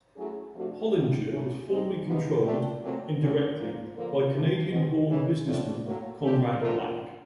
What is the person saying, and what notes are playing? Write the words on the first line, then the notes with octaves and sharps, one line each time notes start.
Hollinger was formerly controlled, indirectly, by Canadian-born businessman Conrad Black.
F#3 A3 C#4 E4 G#4
C3 F3 A3 D4 F#4
B2 G3 B3 E4
C#3 F#3 A3 C#4
G#3 C4 D#4 G#4
C3 F3 G#3 B3 D#4
A3 D4 G4
A#2 F#3 A3 C4
A#2 F#3 A3 C#4
A#2 F3 A#3
D3 F3 A#3
C3 F3 A3
B2 G#3 C4
C#3 E3 G#3 C#4
A2 F3 A3 D4 F4
A2 F#3 A#3
F3 A3 D4 G4
F3 A3 D4 F4 A#4